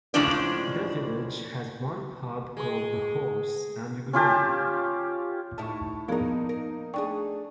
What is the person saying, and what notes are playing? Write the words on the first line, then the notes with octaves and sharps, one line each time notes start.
The village has one pub called The Horse and Groom.
A2 C#3 F3 G#3 D4 D5
G#3
C#4 F4 G4 A5
A2 D#4 E4 A5 C#6
F3 A#3 B3 D4 D#4 G#4 A#4
A#4
A3 D4 G#4 D5 G5 C#6